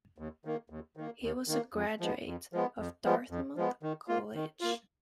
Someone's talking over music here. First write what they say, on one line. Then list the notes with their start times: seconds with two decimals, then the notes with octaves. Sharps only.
He was a graduate of Dartmouth College.
0.18 D#2
0.45 D#3 A#3
0.70 D#2
0.97 D#3 A#3
1.22 D#2
1.48 D#3 A#3
1.74 F2
2.00 F3 G#3 B3
2.26 F2
2.53 F3 G#3 B3
2.78 F2
3.05 F3 G#3 B3
3.30 F2
3.57 F3 G#3 B3
3.83 D#3
4.08 A#3 F4
4.35 D#3
4.61 A#3 F4